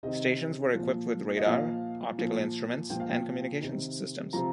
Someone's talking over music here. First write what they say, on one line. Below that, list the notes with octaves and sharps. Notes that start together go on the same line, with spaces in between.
Stations were equipped with radar, optical instruments, and communications systems.
C3 D#3 D#5
A#2 F3
D#5
A#2 F3 F5
A#2 F3
A#2 F3 G5
F5
G5
C3 D#3
C3 F3 A#5